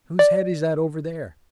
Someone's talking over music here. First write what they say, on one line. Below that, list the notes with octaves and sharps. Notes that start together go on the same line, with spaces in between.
"Whose head is that over there?"
D5